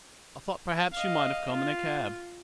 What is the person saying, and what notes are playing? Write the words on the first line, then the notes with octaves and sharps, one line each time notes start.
I thought perhaps you might have come in a cab.'
D#5 F5
F4